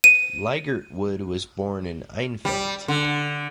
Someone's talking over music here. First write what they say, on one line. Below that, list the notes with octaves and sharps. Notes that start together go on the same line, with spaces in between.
Leigertwood was born in Enfield.
D#7
G3
D3